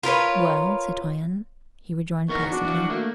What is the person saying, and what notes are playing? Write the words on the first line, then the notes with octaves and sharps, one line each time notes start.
"Well, citoyenne?" he rejoined placidly.
F4 A#4 B4 C#5
E2 B3 D#4 A#4 C#6
D4 F#4
E3 F3
A3 A#3